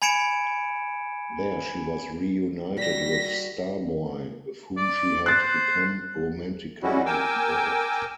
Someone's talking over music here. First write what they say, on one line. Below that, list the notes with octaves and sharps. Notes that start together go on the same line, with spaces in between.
There she was reunited with Star Boy, with whom she had become romantically involved.
G#5 B5 G#6 C#7 D7 E7
G3 F#4 A#6 B6
D5
C5 F#6 A6
G3 G#3 C#4 E4 F#4
A#4 G5 G#5 D6 E6